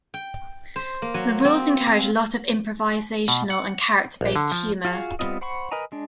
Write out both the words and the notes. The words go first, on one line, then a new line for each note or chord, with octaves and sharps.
The rules encourage a lot of improvisational and character-based humor.
G5
C5
A#3
F#3
C4
F5
B2
F#5
A#1
D3
F3
F4 F#4 G#4 F5
G3 B3 C4 F4 D#5
C5 F#5 B5 C#6
A#4 B4 D#5 G#5 A#5
G#3 D4